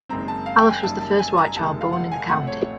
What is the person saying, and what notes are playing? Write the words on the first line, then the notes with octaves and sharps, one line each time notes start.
Alice was the first white child born in the county.
F#1 F#2 D#3 G#3 C4 A#5
A5
F5
G5
G#5
F#1 F#2 D#3 G3 A5
A5
G#5
A#5
F#1 F2 C3 D#3 G#3 A5
F5
F#5
G#5
A1 A2 F3 A3 C4 F#5
C#5